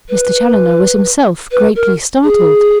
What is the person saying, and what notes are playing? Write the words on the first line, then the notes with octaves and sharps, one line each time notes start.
Mr. Challoner was himself greatly startled.
B4
B4
A#4
G#4